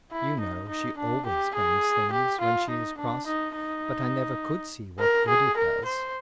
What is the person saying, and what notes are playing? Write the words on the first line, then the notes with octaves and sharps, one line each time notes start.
You know she always bangs things when she is cross, but I never could see what good it does.
E4
D#4
D#4
D4
G4
G#4
G4
F4
D#4
D4
D#4
D#4
A#4
G#4
A#4
C5